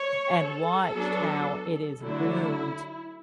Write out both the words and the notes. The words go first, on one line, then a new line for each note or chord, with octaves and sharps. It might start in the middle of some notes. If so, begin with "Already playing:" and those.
and watched how it is boomed,
Already playing: C#5
A4
F#3 B3 D4
D3 F#3 A3 D4 E4